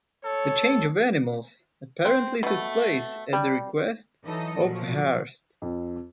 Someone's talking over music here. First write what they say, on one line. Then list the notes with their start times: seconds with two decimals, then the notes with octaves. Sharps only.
The change of animals apparently took place at the request of Hearst.
0.25 A4 C#5
2.05 C4
2.43 B2 A3
3.33 G3
4.24 E3 F#3 D#4 A4 D#5
4.60 A#2 F3 F#3
5.62 F2